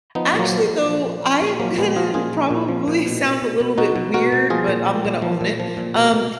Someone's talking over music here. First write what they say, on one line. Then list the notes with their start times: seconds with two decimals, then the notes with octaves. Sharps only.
actually though, I'm gonna probably sound a little bit weird, but I'm gonna own it. Um,
0.15 F3 B3 D#4
0.33 A#2
0.39 F#3 A#3
0.51 F3
0.70 A#2
0.88 F3
1.06 A#2
1.24 F3
1.42 A#2
1.60 F3 F#3 A#3
1.78 A#2 G#3 B3
1.96 F3 F4 G#4
2.14 A#2 F4 G#4
2.33 F3
2.51 A#2
2.68 F3
2.88 A#2
3.05 B2
3.23 B2
3.42 B2
3.60 B2
3.78 B2 D#4 F#4
3.96 B2
4.14 B2 F#4 A#4
4.32 B2
4.50 F3 F4 G#4
4.68 A#2
4.86 F3
5.05 A#2
5.22 F3
5.41 A#2
5.60 F3
5.77 A#2
5.96 B2
6.13 B2